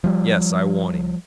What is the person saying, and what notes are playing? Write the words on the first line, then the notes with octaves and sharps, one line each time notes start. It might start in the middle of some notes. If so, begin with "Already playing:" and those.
"Yes, I want him!"
F3 G3